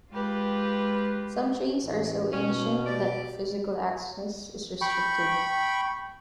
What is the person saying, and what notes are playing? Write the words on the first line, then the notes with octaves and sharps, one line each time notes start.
Some trees are so ancient that physical access is restricted.
G#3 F4 G4 B4
A1
B2 D#3 C#4
G4 D5
G5 B5 C#6